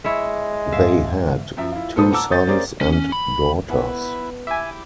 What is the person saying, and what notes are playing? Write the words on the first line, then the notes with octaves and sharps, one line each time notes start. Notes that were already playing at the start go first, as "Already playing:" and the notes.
They had two sons and daughters.
G#3 E4 C#5 E5
G#2 E5 F5
F#2 F3 E5
E4 F4
A#2 A4 B4 C5 A5 D#6
F#5 A5 A#5 D6 E6
C5 C#5 D#6 G6 A6
A#3 C#4 G#4 A#4 C5 D5
C#4
B5
B3 E4 B4 F#5
E4 G4 E5 G#5 D6